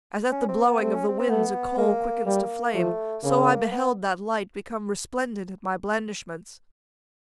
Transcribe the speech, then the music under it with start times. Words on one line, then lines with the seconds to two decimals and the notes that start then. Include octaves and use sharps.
As at the blowing of the winds a coal Quickens to flame, so I beheld that light Become resplendent at my blandishments.
0.32 C#4
0.48 C4
0.64 B3
0.80 A3 C4
0.95 C#4
1.08 C4
1.19 C4
1.29 A3 B3
1.77 G#3 A#3
2.26 G3 A#3
2.74 F3 A3
3.23 C#3 A#3
3.72 B3